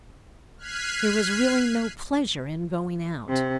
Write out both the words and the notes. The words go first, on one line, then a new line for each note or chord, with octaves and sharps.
There was really no pleasure in going out.
F6 F#6 G#6 B6 C7 D#7
C3